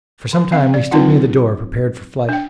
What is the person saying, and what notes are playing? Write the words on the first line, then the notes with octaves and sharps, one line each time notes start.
For some time we stood near the door, prepared for flight.
F3
C4 F5
D5
F#3 C4 D4 D#4 F4 F#5
D4 G5